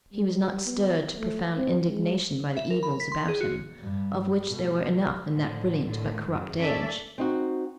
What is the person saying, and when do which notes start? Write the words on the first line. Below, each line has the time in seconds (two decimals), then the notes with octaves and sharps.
He was not stirred to profound indignation by the evils about him, of which there were enough in that brilliant but corrupt age.
0.13 G3
0.66 B3
1.18 A3
1.57 C4
1.87 G#3
2.57 E5
2.70 A#4
2.83 B5
3.00 B6
3.12 C6
3.28 G#4
3.41 F#4
3.81 G2 G3
4.46 B2 A3
5.31 A2 D3 F3
5.85 A2 D3 D#3
6.29 F#2 C#3
6.60 C#4 D4 A4 D5 E5
7.18 C4 D#4 F#4